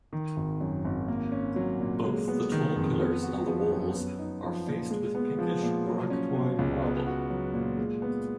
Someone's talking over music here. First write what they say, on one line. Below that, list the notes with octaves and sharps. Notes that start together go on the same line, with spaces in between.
Both the tall pillars and walls are faced with pinkish Oraktuoy marble.
D#3
G#1
F#2
G#1
A#3
C#4
F#3
A#2
G#3
B3
D#3
F2
B3
F#4
F3
F#2
B3
D#4
F3
A#2
G#3
B3
F3
A#2
F#3
C#4
B2
C#2
B3
F#4
F#3
A#2
G#3
B3